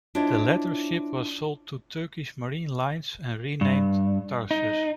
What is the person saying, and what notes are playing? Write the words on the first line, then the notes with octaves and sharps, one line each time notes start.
The latter ship was sold to Turkish Maritime Lines and renamed "Tarsus".
D4 E4 F4 C5 C#5 D#5
G2
D#4